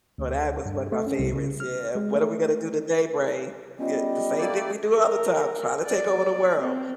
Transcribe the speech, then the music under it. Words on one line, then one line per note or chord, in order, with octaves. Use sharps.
Well, that was one of my favorites, yeah. "What are we gonna do today, Brain?" Yeah. "The same thing we do all the time, trying to take over the world."
D2
G2
A3
C#4
C2
C#3
F6
G#3
A3
G3 B3 C#4 F4 D#5
A3 A#3 D5
A#4
D5
C4